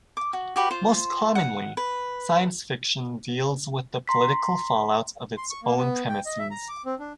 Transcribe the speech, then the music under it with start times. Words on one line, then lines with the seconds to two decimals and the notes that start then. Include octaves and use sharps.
Most commonly, science fiction deals with the political fallout of its own premises.
0.17 D6
0.33 F#4
0.56 F#4 G4 B4
0.71 F4 C5
1.35 F#5
1.77 B4
4.08 A#5 C6 B6
5.37 C6
5.50 C#6
5.63 A#3
5.77 B3
6.09 G5
6.26 D#5
6.39 E5
6.51 A#5
6.69 D6
6.86 C4
6.99 D4